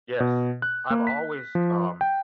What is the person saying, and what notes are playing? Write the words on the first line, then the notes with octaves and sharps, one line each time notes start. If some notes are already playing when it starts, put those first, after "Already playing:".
Yes, I've always, um,
B2
F#6
A#3
B6
F3
G5